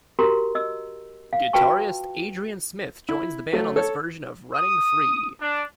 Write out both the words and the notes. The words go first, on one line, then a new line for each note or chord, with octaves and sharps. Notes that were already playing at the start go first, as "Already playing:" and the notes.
Guitarist Adrian Smith joins the band on this version of "Running Free".
F#4 G4 A#4 A#5 C6
D#5 E6
F5
F4 F#4 B4 G5 A5 C#6
E4
F#3 A3
A4 C#5
D#6
D4